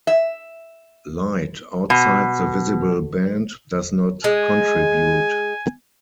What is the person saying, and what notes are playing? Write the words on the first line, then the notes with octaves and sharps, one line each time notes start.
Light outside the visible band does not contribute.
E5
B2
G#3 G#5